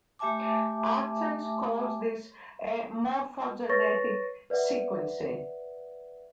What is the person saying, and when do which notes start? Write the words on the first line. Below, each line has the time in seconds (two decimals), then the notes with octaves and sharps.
Archer calls this a morphogenetic sequence.
0.19 A3 G4 E5 G#5 A5 D6
3.69 B4 C#5 C#6 A6 A#6
4.50 B4 D5 E5 F#5